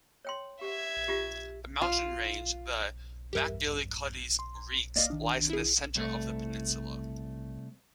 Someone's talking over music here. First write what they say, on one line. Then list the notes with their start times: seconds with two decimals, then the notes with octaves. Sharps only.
A mountain range, the Macgillycuddy's Reeks, lies in the centre of the peninsula.
0.25 C#5 G5 C6
0.61 G4 E5 F#5 G#6
1.08 D4 F4 G4
1.82 F4
3.33 E2 G2 G4 A#4 E5
4.39 C6
4.96 A#3 D5 D#5 F5
5.10 D#3 D4
5.49 E4 G#4
5.96 C2 A3